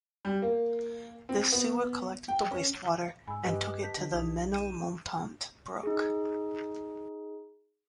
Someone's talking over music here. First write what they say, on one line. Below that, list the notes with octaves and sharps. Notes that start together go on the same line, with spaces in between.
This sewer collected the wastewater and took it to the "Menilmontant brook".
G3
A#3
C4
B3
G5
C#4
G#2 G#5 B5 E6
G2 G4 B4 D#5
A5 G6 B6
D3
B1 D#4
G6 D#7 E7
D#4 G#4